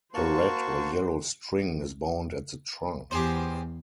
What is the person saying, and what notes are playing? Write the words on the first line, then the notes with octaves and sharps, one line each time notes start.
A red or yellow string is bound at the trunk.
A#3 F#4 C5 A5 C#6
E2 G4 G#4 C5